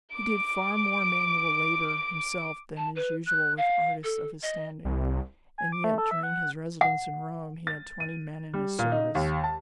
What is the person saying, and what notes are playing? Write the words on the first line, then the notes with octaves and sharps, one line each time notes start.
He did far more manual labor himself than is usual with artists of his standing, and yet, during his residence in Rome he had twenty men in his service.
D6 D7
A5
B4
F#6
F5
A4
D#5
C2
G#5
D6
A3
A4
E5
F#5
F#5
A6
D#7
G3
A#2
D#4
D#2
A5